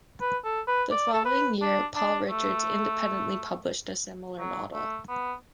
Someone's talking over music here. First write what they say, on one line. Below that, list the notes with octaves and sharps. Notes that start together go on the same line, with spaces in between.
The following year Paul Richards independently published a similar model.
B4
A4
B4
D5
A4
B4
D4
D4
A3
F#3
A3
B3